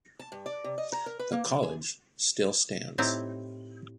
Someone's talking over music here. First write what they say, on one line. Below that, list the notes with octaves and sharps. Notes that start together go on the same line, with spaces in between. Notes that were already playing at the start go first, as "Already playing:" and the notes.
The College still stands.
A5
G2
D5
C3
D#5
A#5
A#4
B4
A#3
F3
G#4
A2 C4 D#4 E4 G4